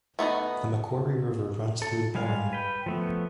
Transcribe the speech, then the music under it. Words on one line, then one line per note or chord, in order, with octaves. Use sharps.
The Macquarie River runs through Warren.
A3 B3 D#4 F#4
A4
G3 G#3 G#4 F5
B4 G5
F3 A3 B3